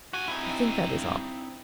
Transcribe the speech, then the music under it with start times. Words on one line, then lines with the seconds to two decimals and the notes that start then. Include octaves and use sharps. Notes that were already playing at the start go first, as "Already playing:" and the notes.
I think that is all.
0.13 G2 F#4 G#5
0.28 C4 D#4 E4